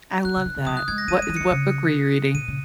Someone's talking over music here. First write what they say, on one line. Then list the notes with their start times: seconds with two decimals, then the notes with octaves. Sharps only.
I love that. What is what book were you reading?
0.25 F#3 F#6
0.36 C#3
0.45 D#3
0.57 C#3
0.66 F#3 D#6
0.77 F#6
0.88 G#3 G#6
0.98 A#6
1.08 F#3 D#7
1.19 G#3 D#7
1.29 F#3
1.37 C#7
1.41 D#3
1.51 C#3 C#7
2.34 A#2 D#7
2.48 C#3